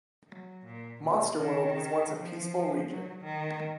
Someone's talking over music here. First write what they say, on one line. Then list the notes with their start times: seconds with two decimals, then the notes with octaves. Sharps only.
Monster World was once a peaceful region.
0.29 F#3
0.66 A#2
1.02 B2
1.41 D#3
2.14 F3
2.88 F#3
3.25 D#3